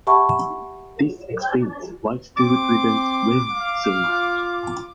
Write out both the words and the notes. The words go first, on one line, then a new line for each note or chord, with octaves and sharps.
This explains why Stewart resents Remy so much.
G4 E5 F#5 A5 B5 C#6
C4 C6 D6
F5
F4